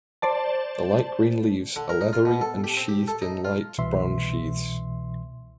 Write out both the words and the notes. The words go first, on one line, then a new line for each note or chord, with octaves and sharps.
The light green leaves are leathery and sheathed in light brown sheathes.
C5 D5 A5
D3
A#4
D#4
F4
B2
A4
G4
C4
G4
A4
D#4
F4
C2 B2 E3 E5 C6